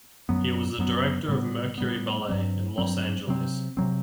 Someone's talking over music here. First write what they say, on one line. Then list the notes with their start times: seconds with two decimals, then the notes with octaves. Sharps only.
He was the director of Mercury Ballet, in Los Angeles.
0.29 F#2 F#3 B3
0.78 F#2 F#3 B3
1.28 A2 G3 B3
1.78 A2 G3 B3
2.28 G2 F#3 C4
2.78 G2 F#3 C4
3.28 C3 F#3 C4
3.77 C3 F#3 C4